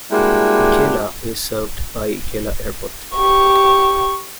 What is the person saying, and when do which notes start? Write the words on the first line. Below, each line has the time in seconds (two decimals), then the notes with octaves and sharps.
Ikela is served by Ikela Airport.
0.10 G3 G#3 A#3 D4 E4 F#4
3.15 G4 C#6